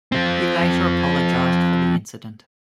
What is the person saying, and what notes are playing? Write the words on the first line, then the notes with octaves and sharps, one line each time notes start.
He later apologized for the incident.
F3 C4